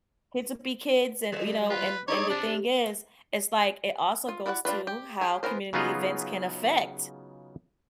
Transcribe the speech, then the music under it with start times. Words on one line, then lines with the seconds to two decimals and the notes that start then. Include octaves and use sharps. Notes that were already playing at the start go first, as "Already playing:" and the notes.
kids will be kids and you know, and and the thing is, it's like, it also goes to how community events can affect,
1.32 F#3 G3
1.70 F4 B4
2.08 D4 D#4 G#4 C#5 D5
2.30 C3 D4
4.29 F4
4.46 E4 F#4 D5 F5 F#5
4.65 G3 D4 F4 B4
4.87 G4
5.21 G4 G#4 G#5
5.43 E3 G#3 B3 A#4 C5
5.73 C#3 F#3 B3 D#4 F4 G#4